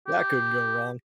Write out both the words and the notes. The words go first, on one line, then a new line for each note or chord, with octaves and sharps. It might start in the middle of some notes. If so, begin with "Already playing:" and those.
That couldn't go wrong.
G4